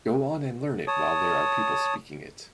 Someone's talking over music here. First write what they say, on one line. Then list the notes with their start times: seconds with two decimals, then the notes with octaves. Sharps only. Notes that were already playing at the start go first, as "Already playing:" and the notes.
Go on and learn it while there are people speaking it.
0.87 C#5 A5 D#6